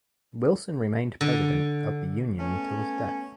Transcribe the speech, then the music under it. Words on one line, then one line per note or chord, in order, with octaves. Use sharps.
Wilson remained president of the union until his death.
D3
A3 B3 C#4